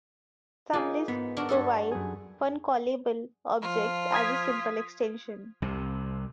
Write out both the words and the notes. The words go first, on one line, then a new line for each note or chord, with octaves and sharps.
Some Lisps provide "funcallable" objects as a simple extension.
A#3 D#4 F4 G#4
G#2 B3
D4 F#4 A#4
G2 F#4 A4
F#2 G#4
F3 F4
D#6 G#6 B6
C2 C3